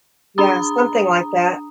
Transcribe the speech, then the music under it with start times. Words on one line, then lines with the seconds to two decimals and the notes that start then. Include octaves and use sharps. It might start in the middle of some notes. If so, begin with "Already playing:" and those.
Yeah, something like that.
0.38 D4 A#5 D#6